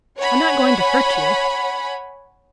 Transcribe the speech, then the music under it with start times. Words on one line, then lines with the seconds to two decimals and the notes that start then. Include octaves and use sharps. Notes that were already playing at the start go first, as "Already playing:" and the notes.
I'm not going to hurt you.
0.19 C#5 F#5 G#5 B5